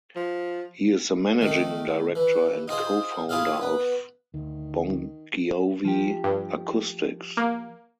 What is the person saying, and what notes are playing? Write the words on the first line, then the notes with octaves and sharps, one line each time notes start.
He is the Managing Director and co-founder of Bongiovi Acoustics.
F3
D#3 A3
E3
D#4 F4 G#4 C5
E4 F4 G#4 A4 F5
B3
D2 D#3
F3 G4
G2
A#3